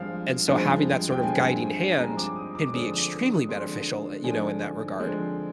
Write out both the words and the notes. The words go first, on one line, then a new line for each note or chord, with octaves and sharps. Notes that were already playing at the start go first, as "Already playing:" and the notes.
And so, having that sort of guiding hand can be extremely beneficial, eh, you know, in that regard.
Already playing: G2 F3 G#3 C4 F5
G2 F3 G#3 C4
G5
G2 F3 G#3 C4 G#5
G2 F3 G#3 C4 A#5
D6
D#6
D6
D3 F3 G#3 C4 D#6
D6
D#6
D#6
D3 F3 G#3 C4 C6
D3 F3 G#3 C4 G#5
D3 F3 G#3 C4